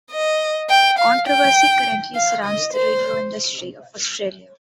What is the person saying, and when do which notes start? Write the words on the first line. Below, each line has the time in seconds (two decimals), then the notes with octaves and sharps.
Controversy currently surrounds the rodeo industry in Australia.
0.11 D#5
0.70 G5
0.99 F5
1.27 G5
2.15 F5
2.44 D#5
2.73 C5